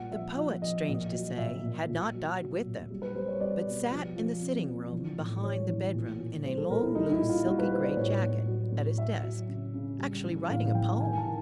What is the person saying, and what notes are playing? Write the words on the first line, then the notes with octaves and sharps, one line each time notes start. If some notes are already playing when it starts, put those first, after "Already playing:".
The poet, strange to say, had not died with them, but sat in the sitting-room behind the bedroom in a long loose silky-grey jacket, at his desk--actually writing a poem!
Already playing: A#2 G3 F#5
F3 E5
F3
F3 D#5
A#2 D#5
F#3
A#2 E5
A#2
A#2
F#3
F#3
A#2
G3
B4
G3 C5
C#5
G3 D5
B2
F3
F3
C3
F3
E3
A2
G3 C#5
E3
A#2
A#2
G3 C5
A4
A#2 A#4
E4
G3 D#4
E4
A#2
F4
G3 F#4
B4
G3 C5
D5
A2 C#5
A2
F#3
A2
F#3 E5
F#3
C#3
C#3
G3
E3
A2 F5
E3 G5
D#3 G#5
A5
D#3